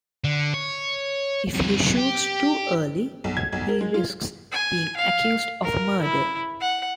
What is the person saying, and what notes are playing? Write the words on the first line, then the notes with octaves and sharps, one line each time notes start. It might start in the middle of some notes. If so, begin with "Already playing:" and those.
If he shoots too early, he risks being accused of murder.
D3
C#5
C3 F#3
G4
B1
G#6
B1
A#4
G#3
F4
G#5
F5
A#4
E4
F#5